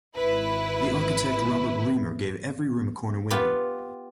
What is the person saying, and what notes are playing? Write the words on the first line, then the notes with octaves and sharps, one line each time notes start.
The architect Robert Reamer gave every room a corner window.
G#1 E4 B4
B3 F4 G4 B4